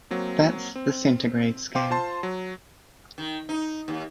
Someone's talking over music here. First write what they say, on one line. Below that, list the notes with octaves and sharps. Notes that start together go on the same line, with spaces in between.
That's the centigrade scale.
F#3 A#3 C4
C4
C5 F5 G5 C6 D6
F4 C5 A5 C6
F#3
D#3
D#4
D#2